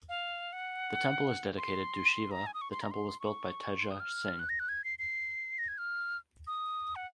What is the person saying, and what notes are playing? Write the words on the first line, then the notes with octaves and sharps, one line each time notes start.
The temple is dedicated to Shiva The temple was built by Teja Singh.
F5
F#5
C6
A#5
G#5
D#6
C#6
C6
A#5
C6
C#6
C6
D#6
F6
F#6
A#6
F#6
G#6
C7
C7
A#6
G#6
F6
D#6
F#5